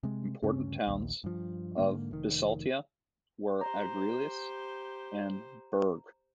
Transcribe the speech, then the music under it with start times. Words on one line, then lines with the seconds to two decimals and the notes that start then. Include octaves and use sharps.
Important towns of Bisaltia were Argilus and Berge.
0.03 C3 G#3
0.42 D2 G2 C#3 C#4
0.87 A#1 D#2
1.24 G2 F3
1.78 G#2 D3 A#3
2.11 F1 D#3
3.61 G4 C5 A#5